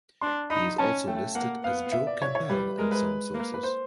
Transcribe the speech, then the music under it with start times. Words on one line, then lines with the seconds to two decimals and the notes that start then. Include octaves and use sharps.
He is also listed as Joe Campbell in some sources.
0.21 D4 C6
0.50 D#4 B5
0.78 C#4 A5
1.07 A3 G5
1.35 A#3 F#5
1.64 B3 F5
1.92 E5
2.07 D5
2.22 C#5
2.35 C#5
2.49 G3 B4
2.78 G#3 A#4
2.92 B4
3.34 A#3
3.54 B4
3.63 C5